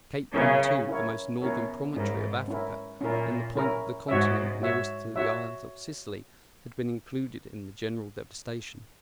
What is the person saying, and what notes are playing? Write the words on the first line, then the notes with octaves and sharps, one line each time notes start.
Cape Bon, too, the most northern promontory of Africa and the point of the continent nearest to the island of Sicily, had been included in the general devastation.
C#3 C#4 E4 A#4 C#5
C#4 E4 A#4 C#5
B2 C#4 E4 A#4 C#5
G#2 C#4 E4 A#4
C#4 E4 A#4
A#2 C#4 E4 A#4
C#4 E4 A#4
G#2 F#4 C#5 E5
F#4 C#5 E5
F#4 C#5 E5